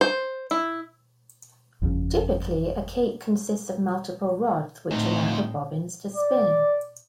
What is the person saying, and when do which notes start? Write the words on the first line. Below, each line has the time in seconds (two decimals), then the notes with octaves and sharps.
Typically, a kate consists of multiple rods, which allow the bobbins to spin.
0.01 C5
0.51 E4
1.82 G1 F2 G#2 C#3
4.91 D2 A2 A3 C4 D#4
6.16 D5